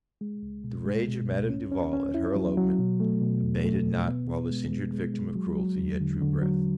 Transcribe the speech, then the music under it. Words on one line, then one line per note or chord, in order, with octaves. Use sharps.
The rage of Madame Duval at her elopement, abated not while this injured victim of cruelty yet drew breath.
G#3
C#2
B2
G#3
B2
C#2
C#4
C#4
C#4
E4
F#3
F#3
B2
A3
B2
E2
A3
B2
B3
B3
G#3
G#3
G#3
G#3
F#3
F#3
E2
D3
D3
F#3